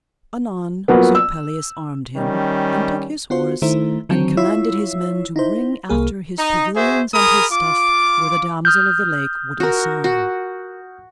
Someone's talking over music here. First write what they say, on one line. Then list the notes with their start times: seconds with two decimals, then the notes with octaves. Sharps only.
Anon Sir Pelleas armed him, and took his horse, and commanded his men to bring after his pavilions and his stuff where the Damosel of the Lake would assign.
0.88 F3 F#3 A#3 B3
1.15 E6
2.16 D#3 G3 C#4
3.30 B3 F4 F#4 C5
3.62 D#3 A3 E4 C5
4.09 D3 D#3 F#3 C4
4.37 E4 F4 C#5 E6
5.36 D#4 E4 C5
5.89 C2 A#3 G#4
6.39 D#4
6.76 F#4 G#4 C5 E5
7.14 G#4 A#4 B5 D#6
7.53 F4 D6
8.65 D#6 F6 G6
9.60 F#4 A#4
10.04 F#4